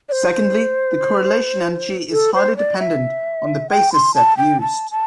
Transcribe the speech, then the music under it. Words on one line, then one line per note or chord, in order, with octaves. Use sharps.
Secondly the correlation energy is highly dependent on the basis set used.
D5
C5
A4
C5
D5
E5
G5
C6
A5
G5
A5
A5